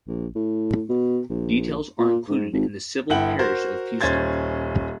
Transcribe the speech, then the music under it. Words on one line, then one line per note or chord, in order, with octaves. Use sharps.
Details are included in the civil parish of Fewston.
A#1
A2
B2
A#1
A#2
G#2
G#1
G1 E4 F#5 G5 F#7
F#4 A#4 C5
D#1 C#4 C5 G#6 A6